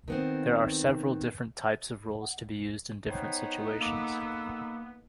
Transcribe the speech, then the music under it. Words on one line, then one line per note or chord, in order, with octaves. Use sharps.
There are several different types of roles to be used in different situations.
D#3 B3 C4
B3 D#4 C5 C#5 G5
A#3 A4 B5 D6 E6